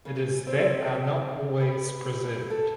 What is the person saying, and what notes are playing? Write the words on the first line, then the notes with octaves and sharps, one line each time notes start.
It is that are not always preserved.
C#3
C4
B4
A4